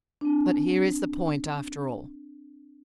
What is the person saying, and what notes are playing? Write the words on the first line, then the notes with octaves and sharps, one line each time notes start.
But here is the point, after all.
C4 D4